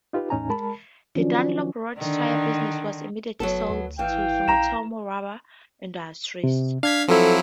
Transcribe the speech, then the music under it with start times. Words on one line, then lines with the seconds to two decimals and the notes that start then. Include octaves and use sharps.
The Dunlop road tyre business was immediately sold to Sumitomo Rubber Industries.
0.13 D#4 F4 G4 B4
0.30 E2 A2 C#4 D#4 G#5 A#5
0.49 G#3 A#4 A5 B5
1.15 D#3 F3 F#3 C#4 D4
1.96 D3 D#3 D4
3.40 F#1 F#3 B3 A4
3.70 D2
3.99 G#1 E3 F5 G5
4.48 A#1 A#5 E7
6.44 C3
6.83 D4 F5 G#6 B6
7.08 F3 F#3 C4 E4 A4